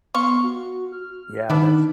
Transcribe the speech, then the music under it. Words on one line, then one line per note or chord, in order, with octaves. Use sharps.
Yeah. That's
B3 F5 C6 C#6
F#4
F6
D#3 B3 D4 E4